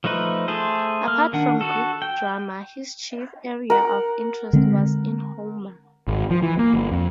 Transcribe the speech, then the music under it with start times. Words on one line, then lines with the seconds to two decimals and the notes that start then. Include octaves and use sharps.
Apart from Greek drama, his chief area of interest was in Homer.
0.04 F3 A3 D#4 B4
0.48 A3 G#4 A4 C5
1.07 A#3 F6
1.33 D#3 D4 F#5
1.61 F#4 A4
2.02 G5
3.70 A#4 F#5
4.53 D3 G#3 C4
6.08 G#1
6.30 F3
6.42 E3
6.59 A#3
6.74 G1
6.92 F2